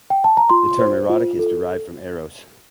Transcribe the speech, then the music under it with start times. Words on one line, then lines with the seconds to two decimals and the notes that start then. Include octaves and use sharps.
The term "erotic" is derived from "eros".
0.10 G5
0.24 A5
0.37 A#5
0.50 F4 C6
0.79 C5
1.10 F4
1.39 A4